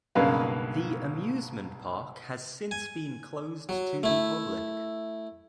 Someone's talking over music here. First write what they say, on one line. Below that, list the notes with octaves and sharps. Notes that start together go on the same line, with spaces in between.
The amusement park has since been closed to the public.
B1 G2 C#3 A#3 B4 F5
G#5
F#3
A3 E4